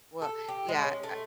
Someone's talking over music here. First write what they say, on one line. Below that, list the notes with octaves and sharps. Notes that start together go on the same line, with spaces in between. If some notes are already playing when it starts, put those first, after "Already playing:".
Well, yeah. Eh,
A4
G4
G#3
C#4
A3